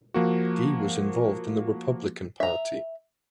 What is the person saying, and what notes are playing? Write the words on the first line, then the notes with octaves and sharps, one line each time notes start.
Dee was involved in the Republican Party.
F3 A#3 F#4
E5 A#5